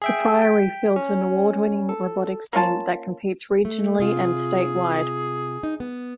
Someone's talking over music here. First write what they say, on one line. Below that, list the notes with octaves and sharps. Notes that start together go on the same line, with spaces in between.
The Priory fields an award-winning robotics team that competes regionally and statewide.
G#4 E5 G5
G5 B6
C#4
A4
A#3 C#4 F4 A5
A3
C3 F4 G#4
D#4
B3